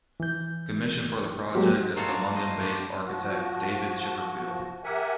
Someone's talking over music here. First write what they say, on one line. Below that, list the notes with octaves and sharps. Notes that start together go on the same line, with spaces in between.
Commissioned for the project is the London-based architect David Chipperfield.
E3 G6
F#3 G#3 A#3 F#4 G4
A2 F#3 G#3 F4 F#4 A4
D4
C5 D#5
A3 C4 D4 G4
F3 F#4
G4 A#4 E5 F#5 G#5